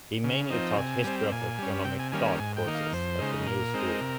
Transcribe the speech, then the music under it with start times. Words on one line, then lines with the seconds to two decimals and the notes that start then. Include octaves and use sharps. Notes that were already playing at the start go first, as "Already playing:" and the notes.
He mainly taught History of Economic Thought courses at the New School.
0.24 C#3
0.50 F3 C4 D#4
0.77 C3 G#5
1.04 G3 C4
1.32 A#2 G#5
1.58 G3 C#4
1.85 C3 G5
1.99 G#5
2.12 D#3 G3 A#3 C#4 G#5
2.26 G#5
2.39 G#2 G#5
2.57 G5
2.66 D#3 A#3 D#4
2.75 F5
2.93 F2 C5
3.20 C#3 G#3 D#4
3.46 A#2 A#4
3.74 G#3 C4 D#4
4.01 C3